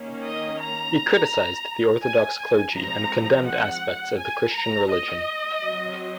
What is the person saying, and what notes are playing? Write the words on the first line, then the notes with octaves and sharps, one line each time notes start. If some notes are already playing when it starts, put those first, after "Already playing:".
He criticized the orthodox clergy and condemned aspects of the Christian religion.
Already playing: D#3 A#3 C#4
D#5
A#5
G#5
G#5
F3 G#3 C4 A#5
F#5
G#5
A#5
D#5
F#3 C4